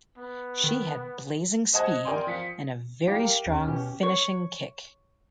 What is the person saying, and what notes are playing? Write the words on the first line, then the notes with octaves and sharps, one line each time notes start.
She had blazing speed, and a very strong finishing kick.
B3
D#3
C5 D#5 F#5 A5 D#6 G#6
A#4 D5 G5 G#5 C6
F3 F5 B6 C#7
G3 G4 F5
A#4
D#2 C#4
B2 G4
C#5